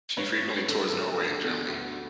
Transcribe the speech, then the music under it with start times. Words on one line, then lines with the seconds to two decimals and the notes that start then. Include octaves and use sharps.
She frequently tours Norway and Germany.
0.17 G2 B4 C#5
0.42 G2
0.68 G2 A4
0.79 A#4
0.88 G2 A4
1.18 D2 A4
1.44 B3
1.69 D2